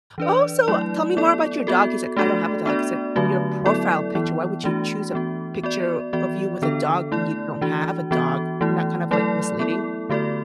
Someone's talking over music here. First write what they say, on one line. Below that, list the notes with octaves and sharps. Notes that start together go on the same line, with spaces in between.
"Oh, so tell me more about your dog," he's like, "I don't have a dog." I said, "Your profile picture, why would you choose a picture of you with a dog when you don't have a dog?" Isn't that kind of, like, misleading?
E3 D4 B4 D5
F#3 A3 E4 D5
B3 E4 A4 D5
B3 F#4 A4
A3 D4 F#4 A4 D5
B3 D4 F#4 D5
D3 F#3 A3 F#4
F#3 B3 E4 A4 D5
E3 B3 E4
E3 A3 D4 F#4
E3 B3 F#4
B3 F#4 D5
E3 B3 F#4 D5
D3 B3 D4 A4
A3 E4 D5
E3 D4 F#4
E3 B3 F#4
E3 A3 E4
F#3 A3 E4 A4 D5
B3 E4 A4
D3 A3 F#4 A4 D5